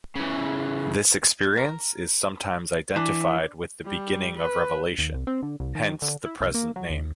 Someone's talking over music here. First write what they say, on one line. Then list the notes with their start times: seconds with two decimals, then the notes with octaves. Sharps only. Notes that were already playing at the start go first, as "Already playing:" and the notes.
This experience is sometimes identified with the beginning of revelation; hence the present name.
0.16 C#3 E3
1.57 A#4
2.96 E3 D4 B4 D5
3.85 G3
4.38 B4
4.98 D#2
5.14 C2
5.27 C4
5.43 D3
5.60 C2
5.75 D#3
6.02 D3
6.26 E4
6.40 C2
6.54 A#3
6.76 F#3
6.90 D#2